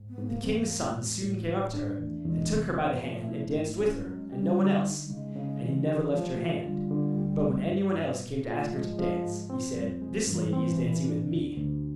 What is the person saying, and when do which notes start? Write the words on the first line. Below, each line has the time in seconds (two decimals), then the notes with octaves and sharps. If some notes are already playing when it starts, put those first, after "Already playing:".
The king's son soon came up to her, and took her by the hand and danced with her, and no one else: and he never left her hand; but when anyone else came to ask her to dance, he said, 'This lady is dancing with me.'
Already playing: G#2
0.10 B3
0.18 G#2
0.27 A#3
0.43 E2 C4
0.53 B3
0.62 A#3
0.70 G#3
0.78 A#3
0.96 A2
1.22 A2
1.48 D#3
1.74 D4
1.99 E2 A3
2.25 E2 G#3
2.51 C3
2.77 B3
3.03 F3 A3
3.29 E4
3.54 G#2
3.80 C#4
4.06 F#3 G#3
4.32 G3 G4
4.58 D3
4.84 D#4
5.05 G3
5.10 C#3 G#3
5.36 C#3
5.62 E3
5.87 G4
6.13 F3 G#3
6.31 A3
6.39 F4
6.47 G#3
6.65 D3 G3
6.91 D3
7.17 D2
7.43 A3
7.69 G2
7.94 G2
8.20 A#2
8.45 A#3 F4
8.59 A3
8.72 F3 G#3
8.98 F3
9.24 G#2
9.50 C4
9.76 F2 G3
9.94 F#3
10.02 G#3
10.10 F3
10.27 G2 E3
10.53 C4
10.79 A#2
11.05 D4
11.31 D2
11.57 D2